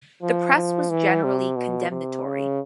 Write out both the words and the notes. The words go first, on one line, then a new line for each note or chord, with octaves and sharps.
The press was generally condemnatory.
F3
F3
E3
C3
B2
C3
C#3